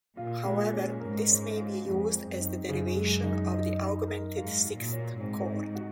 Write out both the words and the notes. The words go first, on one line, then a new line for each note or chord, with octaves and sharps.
However, this may be used as the derivation of the augmented sixth chord.
A#2 F4
G#3
C#4
G#2 A#4
C#4
F4
F2 G#3
C4
F#2
D#4
F#2 C#3
G#3
D#4
D#5
D#4
A#4
G#2 F5
F#4
A#2
C#5
G#2 C4
D#4
F#4